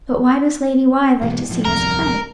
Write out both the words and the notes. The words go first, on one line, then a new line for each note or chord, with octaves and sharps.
But why does Lady Why like to see us play?
G#2 B2 E3
A2 F3
D1 C2 F2 A#4